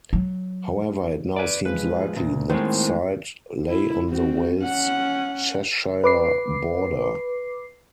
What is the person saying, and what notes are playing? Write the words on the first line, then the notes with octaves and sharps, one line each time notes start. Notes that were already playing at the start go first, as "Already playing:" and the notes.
However, it now seems likely that site lay on the Wales-Cheshire border.
F#3
B4 D5
F3 G#3 B4
D2 A#2
A2 D#3 G#3 A#3 C4 C5
E4
C4 F#4
C#4 F#5
B4 D6 C7